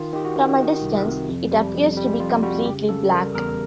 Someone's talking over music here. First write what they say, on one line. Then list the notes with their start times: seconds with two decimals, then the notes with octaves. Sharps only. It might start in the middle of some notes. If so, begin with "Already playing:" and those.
From a distance, it appears to be completely black.
Already playing: D#3 F4
0.13 D#3 G4
0.25 F#4
0.36 D#3
0.59 D#3
0.82 C2
1.05 C3
1.28 F2
1.51 G3
1.74 F2
1.97 G3
2.20 F2 F4
2.43 G3 F#4
2.66 C#3 G4
2.89 C#3 A4
3.11 G3 A#4
3.35 E2 A#4